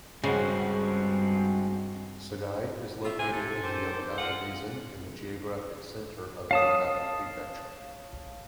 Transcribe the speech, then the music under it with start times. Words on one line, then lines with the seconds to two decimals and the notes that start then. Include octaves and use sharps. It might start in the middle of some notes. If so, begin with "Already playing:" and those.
Sagae is located in the Yamagata Basin in the geographic center of Yamagata Prefecture.
0.24 G2 C#3 G#3 C4 F#4
3.05 F4 E5
3.19 C3 G#5
3.33 A4
3.63 D#3 G4 C5
4.18 G#3 F4 F#5
6.51 C#5 F5 A5 D#6